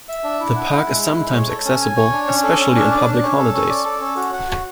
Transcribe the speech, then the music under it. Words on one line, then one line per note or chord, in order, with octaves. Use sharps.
The park is sometimes accessible, especially on public holidays.
E5
D4
E4
F#5
E4
G#3
E4
G#3
C#5
A4
C#4
G#5
C#5
D4
C#4
A4
C#4
D4
D5
D4
C#4
A4
C#4
D5
A4
C#4
F#4
F#5
F#4